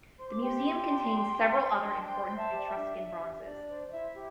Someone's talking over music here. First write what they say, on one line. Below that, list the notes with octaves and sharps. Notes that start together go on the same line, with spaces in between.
The Museum contains several other important Etruscan bronzes.
C5 C6
D6
G4 G5 C6
G4
D4
G4
D4
C5
D4
A5
C5 G5 C6
C5
E5 A5
G4
D5
E5
D4
D4 E5
G4
E5
D4 D5
C5
D5
E4 E5
G4